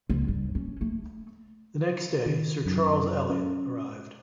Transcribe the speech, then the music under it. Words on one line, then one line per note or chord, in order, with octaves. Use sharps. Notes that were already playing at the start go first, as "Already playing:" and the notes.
The next day "Sir Charles Elliot" arrived.
C#2
G2
C#4
A3
D#3
F#2
C#4